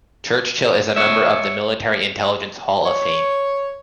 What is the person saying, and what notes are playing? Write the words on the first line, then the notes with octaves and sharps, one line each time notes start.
Churchill is a member of the Military Intelligence Hall of Fame.
C#5 E5
C#5